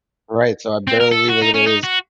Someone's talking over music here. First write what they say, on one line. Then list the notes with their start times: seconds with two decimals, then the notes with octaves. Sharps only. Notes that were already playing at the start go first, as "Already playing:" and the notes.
Right, so I barely leave as it is.
0.87 C4
1.00 A#4
1.12 A4
1.30 F#4
1.42 D#4
1.55 C#4
1.67 D#4
1.84 F#4